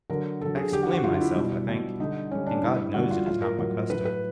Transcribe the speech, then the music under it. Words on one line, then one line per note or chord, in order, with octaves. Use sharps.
I explain myself, I think, and God knows, it is not my custom.
D3 F#3 A#4
D3 F#3 A4
G#4
D3 F#3 G4
F#4
F#4
D3 F#3 F4
F4
E4
B2 G3
B2 G3
D3 G3 D#4
D3 G3 C#4
D4
D3 G3 E4
D3 G3 F#4
F4
A2 F#3 F4
A#4
A2 F#3 A#4
A2 F#3 B4
B4